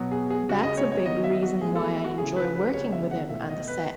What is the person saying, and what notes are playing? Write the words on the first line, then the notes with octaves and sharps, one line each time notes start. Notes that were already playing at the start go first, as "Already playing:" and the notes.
That's a big reason why I enjoy working with him on the set.
Already playing: B2 F#3 B3
G#4
G#4
C#3 G#3 B3 F#4
D#5
C#5
C#5
D#3 F#3 B3 D#5
E5
F#4
A2 G#3 B3 G#4
A4
F#4
C#3 E3 A3 G#4
B4
B4
C#3 G#3 B3 C#5
E5
F#5
B2 A3 E5
D#5
B4